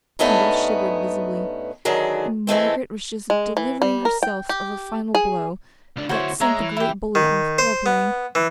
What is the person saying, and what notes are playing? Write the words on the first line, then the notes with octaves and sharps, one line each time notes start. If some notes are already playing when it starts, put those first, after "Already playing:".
Kendall shivered visibly--"and Margaret was just delivering herself of a final blow that sent the great bully off blubbering."
G2 A3 B3 C#4 D#4
D3 D#3 F#3 G#4
E3 G#3 A3 C4
G#3
E3
G3
A#4
G5
G4
G#4
C#2 D4
D2 E4 F#4 C5 C#5
G#3 C#5 E5 A#5
E3
E4 G4
D#3
C5
B3
E3